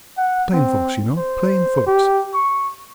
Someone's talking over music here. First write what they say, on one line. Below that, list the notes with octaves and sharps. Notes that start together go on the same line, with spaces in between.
Plain folks, you know--plain folks.
F#5
C4
C5
G4
C#6